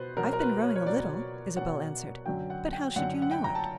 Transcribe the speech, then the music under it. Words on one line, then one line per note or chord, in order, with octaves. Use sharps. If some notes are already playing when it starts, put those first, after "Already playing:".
"I've been rowing a little," Isabel answered; "but how should you know it?"
Already playing: B2 B4 C5
B2 F#3 A#4
A#4
B4
C#5
C#5
B2 F#3 D5
B2 F#3 F#5
F#2 D3 F#3 G5
F#5
G5
F#2 D3 F#3 F#5
F#5
G5
A#5
A5